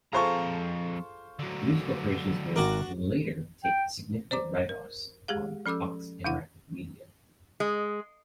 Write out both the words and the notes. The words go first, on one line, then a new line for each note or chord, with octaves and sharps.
News Corporation would later take significant write-offs on Fox Interactive Media.
F2 F4 G#4 A4 C5 A#5 C#6
D3 F#3
G#1 D4 F#4 A#4
G5
C5 D5 A#5 D6
A#4
G#3 G4 G#4 F5
F3 C#4 A4 D6 E6
E2 C3 D4 E4 F#5
G#3